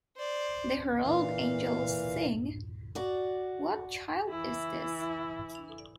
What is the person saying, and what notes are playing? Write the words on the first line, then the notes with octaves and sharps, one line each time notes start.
The Herald Angels Sing", "What Child Is This?
C5 D5
A#2 E3 F5
F#4 D5
E3 E4